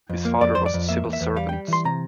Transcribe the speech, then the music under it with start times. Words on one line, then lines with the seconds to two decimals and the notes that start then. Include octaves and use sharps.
His father was a civil servant.
0.10 F2
0.25 A#3
0.41 F2 D5
0.55 F2 C5
0.66 D5
0.74 F2
0.89 A#3 E5
1.05 E2
1.13 E5
1.21 E2
1.36 G3 F5
1.49 G3 G5
1.68 E3 C6
1.85 C3 A#5